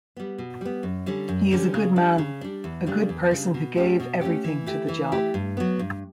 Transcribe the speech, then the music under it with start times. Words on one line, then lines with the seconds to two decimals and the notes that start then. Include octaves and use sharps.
He is a good man; a good person who gave everything to the job.
0.17 G3 B3
0.38 B2
0.61 G3 B3
0.83 F#2
1.06 D3 G3 C#4
1.28 F#2
1.51 D3 G3 C#4
1.74 C#3
1.96 G3 D4
2.18 C#3
2.41 G3 D4
2.64 E2
2.86 C#3 G3 D4
3.09 E2
3.31 C#3 G3 D4
3.54 B2
3.76 A3 C#4 G4
4.00 B2
4.21 A3 C#4 G4
4.44 E3
4.66 A3 E4 G4
4.89 E3
5.12 A3 E4 G4
5.34 G2
5.57 F#3 B3
5.79 G2